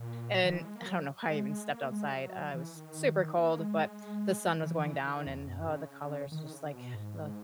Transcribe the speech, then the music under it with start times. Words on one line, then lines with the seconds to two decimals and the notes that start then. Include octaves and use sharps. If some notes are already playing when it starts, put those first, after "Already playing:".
and I don't know why I even stepped outside, I was s super cold, but the sun was going down, and, huh, the colors just like the
Already playing: A#2
0.44 D#3
0.55 E3
0.65 G#3
0.75 A#3
0.86 F#3
1.28 G#3
1.49 G#3
1.70 A#3
1.91 G#3
2.12 F#3
2.54 E3
2.75 D#3
3.38 A#3
3.59 G#3
4.63 E3
4.85 E3
5.06 D#3
5.27 E2
5.47 F#2
5.69 C#3
6.32 D#3
6.46 D#3
6.53 C#3
6.73 B2
6.94 G#2